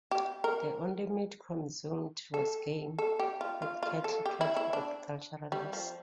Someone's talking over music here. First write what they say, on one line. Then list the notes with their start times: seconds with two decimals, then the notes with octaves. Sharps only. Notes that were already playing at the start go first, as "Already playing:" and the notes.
The only meat consumed was game, with cattle kept for agricultural use.
0.11 G4
0.44 A#4
2.34 A4
2.98 A4
3.19 G4
3.41 F4
3.62 F4
3.83 F4
4.04 A4
4.26 G4
4.41 E4
4.56 E4
4.73 D4
5.52 G3
5.73 F3